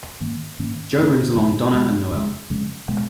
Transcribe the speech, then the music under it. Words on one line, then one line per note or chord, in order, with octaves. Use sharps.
Joe brings along Donna and Noelle.
G#2 D#3 A#3 C#4
G#2 D#3 A#3 C#4
G#2 D#3 A#3 C#4
F2 C#3 G#3
F2 C#3 G#3
F2 C#3 G#3
F2 C#3 G#3
B2 G#3 B3